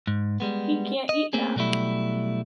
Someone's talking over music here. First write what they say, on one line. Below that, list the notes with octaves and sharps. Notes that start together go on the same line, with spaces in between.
He can’t eat that.
G#2
G3 G#3 B3
D#5
A3 A#3 C4 C#4 G#4
B2 F#3 G3 A3 E4